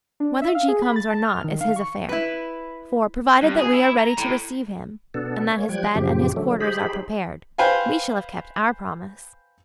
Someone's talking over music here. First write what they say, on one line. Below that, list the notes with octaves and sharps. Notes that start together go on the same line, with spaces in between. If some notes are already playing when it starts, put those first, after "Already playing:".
Whether G. comes or not is his affair; for, provided that we are ready to receive him, and that his bed and his quarters are prepared, we shall have kept our promise.
D4
E5
F5
G#4
B5
A6
A5
F6
D#3
F5
C#6
E4 B4
G2
G#4
E4
A#5
A2
B2 B3 D4 A4
A#3 C#5
F3 G3 G5 F#6 G#6
F#2 A#2 C#3 F3 G4
D3 F#3 A3
D#4 G4 G#4 C5 B5
B4 C5 F5 G5 G#5